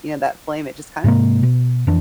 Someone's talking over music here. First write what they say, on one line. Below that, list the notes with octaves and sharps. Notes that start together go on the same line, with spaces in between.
you know, that flame, it just kind of
G#2 C3 G#3 A#3
B2
F2 E3 D4